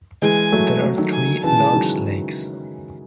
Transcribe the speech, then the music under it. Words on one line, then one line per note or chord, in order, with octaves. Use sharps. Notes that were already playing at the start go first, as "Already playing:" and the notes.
There are three large lakes.
E3 G#3 G#5
F#3 A3
F#3 A3
D#3 F#3
G#5
C#3 E3 A5
E3 G#3
D#3 F#3